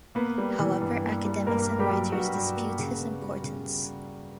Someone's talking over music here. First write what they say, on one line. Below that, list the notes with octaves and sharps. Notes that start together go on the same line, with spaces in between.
However, academics and writers dispute his importance.
A#3 B3 B4
G3
E3
G2
A#3
G3
G2 A#3 A#4
A#3
G3 G4
F#3
G2 F#4
G2
A#3
C#3
B3
G3
C#3